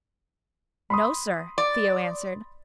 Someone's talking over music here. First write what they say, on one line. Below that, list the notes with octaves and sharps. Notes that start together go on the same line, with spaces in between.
"No, sir," Theo answered.
B5 C6 D#6
D5